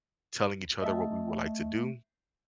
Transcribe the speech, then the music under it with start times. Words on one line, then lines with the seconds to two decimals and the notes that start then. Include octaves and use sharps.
telling each other what we would like to do
0.82 A3 D#5 E5 A5